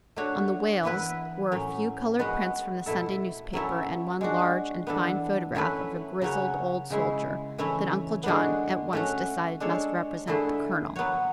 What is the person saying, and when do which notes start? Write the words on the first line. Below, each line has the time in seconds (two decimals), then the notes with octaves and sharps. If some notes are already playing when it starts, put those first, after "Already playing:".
On the wails were a few colored prints from the Sunday newspapers and one large and fine photograph of a grizzled old soldier that Uncle John at once decided must represent "the Colonel."
0.16 A3 D4 F#4 C#5
0.83 E3 B3 E4 B4
1.52 A2 F#3 C#4
2.19 G#3 B3 F#4
2.86 B2 A3 E4 A4
3.53 F#3 C#4 E4 A4
4.21 G#3 D4 F#4
4.87 E3 B3 D4 A4
5.55 A3 C#4 E4 B4
6.22 C#3 F#3 C#4 F#4 C#5
6.90 C#3 G#3 C#4 E4
7.58 E3 A3 C#4 E4
8.23 D3 G#3 B3 D4 F#4
8.93 A3 C#4 F#4
9.60 G#3 D4 A4 C#5
10.27 D3 A3 E4 G#4
10.96 F#3 B3 F#4 C#5